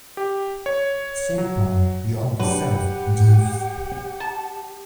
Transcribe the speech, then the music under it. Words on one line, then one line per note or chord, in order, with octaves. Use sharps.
Simple, you observe, Jeeves.
G4
C#5
F#3
F#3 D4 G4 B4 F#5
A5